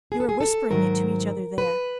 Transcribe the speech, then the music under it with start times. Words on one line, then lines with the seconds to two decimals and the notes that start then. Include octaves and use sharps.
You are whispering it to each other there.
0.12 G#4
0.20 A4
0.29 G#4
0.41 A4
0.70 G#2 D#3 F#3 A#4
1.58 B4